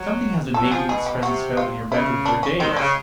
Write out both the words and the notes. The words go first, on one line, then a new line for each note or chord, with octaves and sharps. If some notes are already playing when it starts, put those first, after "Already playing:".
Something has been making its presence felt in your bed-room for days.
Already playing: F#3
F3 A4
F#3
F3 G#4
B2 G#4
G4
C3 F#4
F4
C#3 E4
D4
C#4
D#3 C4
D3
C#3 G#3